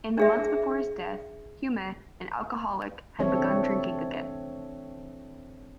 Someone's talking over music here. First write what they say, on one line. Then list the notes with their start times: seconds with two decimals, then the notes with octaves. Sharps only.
In the months before his death, Hume, an alcoholic, had begun drinking again.
0.18 D4 G#4 E5
3.19 E3 C4 D4 A4 C#5 E5